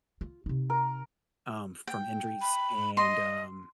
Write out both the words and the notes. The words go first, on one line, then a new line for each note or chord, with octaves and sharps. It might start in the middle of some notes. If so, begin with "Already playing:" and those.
um, from injuries and, um,
F4
C3 D#4
A#4
G5
B5
D#5 C6